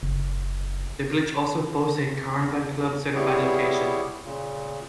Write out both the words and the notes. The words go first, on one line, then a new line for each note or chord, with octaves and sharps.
The village also boasts a Caravan Club Certified Location.
F#1
E2
G3 B3 E4 G4 G#4 C#5
A#2 C#3